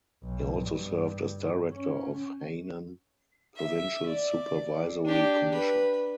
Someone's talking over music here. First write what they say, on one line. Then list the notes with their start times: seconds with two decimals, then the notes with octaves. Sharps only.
He also served as director of Hainan Provincial Supervisory Commission.
0.22 B1
0.56 G2
1.71 C#4
3.56 E5
4.06 D5
5.04 D4 G4
5.52 B4